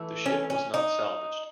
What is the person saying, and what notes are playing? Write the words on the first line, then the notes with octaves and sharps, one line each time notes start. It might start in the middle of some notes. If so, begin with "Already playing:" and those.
The ship was not salvaged.
Already playing: E3 A3
C#4
C#4
D#4